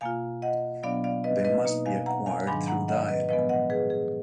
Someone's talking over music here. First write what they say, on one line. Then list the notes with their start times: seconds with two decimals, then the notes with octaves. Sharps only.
They must be acquired through diet.
0.01 B2 A#3 F4 F5 G#5
0.42 D#5 F#5
0.83 B2 F#3 B3 D4 D5 F5
1.04 D5 F5
1.24 B4 D#5
1.45 B4 D#5
1.65 B2 A#3 D#4
1.86 F5 G#5
2.06 F#5 A#5
2.26 F5 G#5
2.47 G#2 D#3 F#3 D4 G#5 B5
2.67 F#5 A#5
2.88 D#5 F#5
3.08 B4 D#5
3.29 A#2 F3 G#3 B3 B4 D#5
3.49 D#5 F#5
3.70 G#4 B4
3.90 G#4